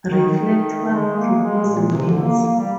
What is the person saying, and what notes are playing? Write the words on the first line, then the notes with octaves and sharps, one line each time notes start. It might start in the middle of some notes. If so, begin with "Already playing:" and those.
Reflect what proposing means.
D#3
D#3
G#3
A#3
G#3
A#2
C3
D3
A#3
A#3
G3